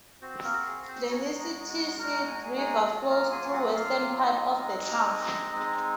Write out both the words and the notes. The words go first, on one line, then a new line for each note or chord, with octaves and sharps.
The Nissitissit River flows through the western part of the town.
C4 F#4 C5
A#3 A#4
G#4
C4 C5
G#3 C#4 D#4 F#4 C#5
D#4 D#5
F#4 F#5
G#3 D#4 F#4 A#4 A#5
G#5
A#5
G#4 G#5
G#4 G#5
F#3 A#3 F4
A#4 A#5
G#4 G#5
F#4 F#5
F#3 A#3 F4 F5
D#4 D#5
G#3 C4 D#4
G#3 C4 D#4